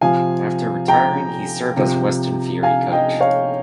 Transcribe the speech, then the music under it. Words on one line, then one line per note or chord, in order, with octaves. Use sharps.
After retiring he served as Western Fury coach.
C3 F3 F5 G#5
G5 A#5
C3 F3
F5 G#5
D#5 G5
C#5 F5